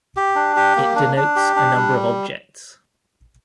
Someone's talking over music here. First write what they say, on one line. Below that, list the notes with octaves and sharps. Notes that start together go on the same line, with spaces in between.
It denotes a number of objects.
G4
D4
G4
A#3
D4
D4
G4
D4
G3